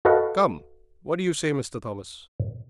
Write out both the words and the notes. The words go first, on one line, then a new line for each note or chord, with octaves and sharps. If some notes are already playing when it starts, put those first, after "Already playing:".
"Come, what do you say, Mr. Thomas?"
F#4 A4 B4 D#5 F5 F#5